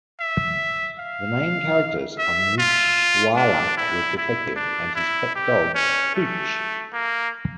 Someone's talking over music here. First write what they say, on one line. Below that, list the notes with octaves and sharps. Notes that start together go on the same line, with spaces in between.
The main characters are Moochhwala the detective and his pet dog Pooch.
E5
F5
E5
F4
D4
E4
E4
D4
E4
G4
C#4
A3
A#3